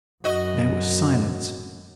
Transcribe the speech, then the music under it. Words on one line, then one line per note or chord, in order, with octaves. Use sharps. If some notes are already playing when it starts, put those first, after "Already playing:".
There was silence.
F#2 F#4 D#5